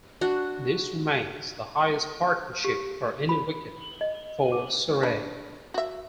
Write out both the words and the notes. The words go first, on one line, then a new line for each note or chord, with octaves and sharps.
This remains the highest partnership for any wicket for Surrey.
D4 F#4
G4
B5
D#5
D6
D4 B4
F#4 E5